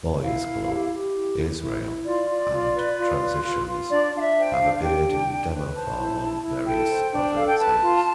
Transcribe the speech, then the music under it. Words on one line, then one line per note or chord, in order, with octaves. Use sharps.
"Boys Club", "Israel" and "Transitions" have appeared in demo form on various other tapes.
E4 F5
E4
G4
G4
E4
E4
E4
E4
F4 D5
F4
F4
B4
F4
B4
F4
F4
D4 D5
D4 F5
E5
C5 G5
F5
D4
F5
G4 G5
D4
D4
B4
C5 A5
E4
E4
E4
A4 G5
C5
D4
A4 F5
G5
B4 A5
F4